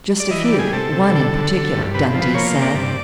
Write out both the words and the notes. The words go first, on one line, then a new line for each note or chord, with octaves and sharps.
"Just a few--one in particular," Dundee said.
D5
E3 D#5
D5
G3
G#4
C3 A4
C3
D3
D3
D3
G2
C3 B4
F3
B4
A#3 C#5
C3
D5
G2 D5